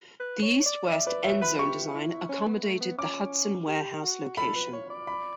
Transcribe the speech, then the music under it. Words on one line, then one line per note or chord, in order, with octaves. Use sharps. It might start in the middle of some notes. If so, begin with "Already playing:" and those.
The east-west end zone design accommodated the Hudson warehouse location.
B4
C#5
D5
D5 E5
B4 D5
C#5 E5
B4 B5
G4 C#6
E4
C#4
B3
A3
B3
C#4 D6
G4
F#4
A4 B5
A4
B4
C#5
D5
B5